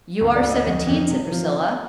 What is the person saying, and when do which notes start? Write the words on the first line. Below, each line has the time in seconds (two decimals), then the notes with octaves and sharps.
"You are seventeen," said Priscilla.
0.21 D2
0.36 D5
0.43 D2
0.50 D#5
0.65 F2 D#5
0.87 F2
1.09 C3
1.32 F3